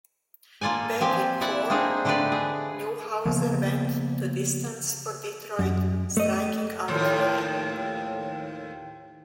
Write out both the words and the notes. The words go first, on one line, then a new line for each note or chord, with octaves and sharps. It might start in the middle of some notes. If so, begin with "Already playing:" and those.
Back in form, Newhouser went the distance for Detroit, striking out nine.
A#3 F4 A4 D5 G#5
F3 C4 G4 G#5
E4 D5 E5 F#5
A#3 C4 D4 D#4 G#4
D3 A3 G4 A4 B4 D5
G#4
C#3 F3 A#3 B3
F#2
A3 D#5
D#2 A2 F3